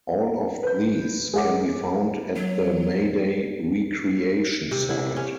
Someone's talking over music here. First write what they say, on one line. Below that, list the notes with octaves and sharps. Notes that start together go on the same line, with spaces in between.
All of these can be found at the Mayday recreation site.
B4 G6
G#3 G#4 C#5 E5 F#5 D6
F#3
C3
E4
C#4